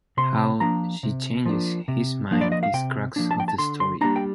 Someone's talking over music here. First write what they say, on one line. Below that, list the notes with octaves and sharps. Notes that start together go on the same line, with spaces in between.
How she changes his mind is crux of the story.
C3 C6
F3 A#3 D4 A#5
C3
F3 A#3 D4
C3
F3 A#3 D4
D5
D#5
F5
C3 G5
F3 A#3 D4
A5
G5
A5
D3 C6
C6
G3 A#3 D4 A#5
G5